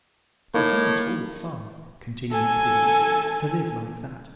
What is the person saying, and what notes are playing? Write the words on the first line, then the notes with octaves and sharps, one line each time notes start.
It isn't all fun," continued Prudence, "to live like that.
A2 A#3 D#4
A4 G#5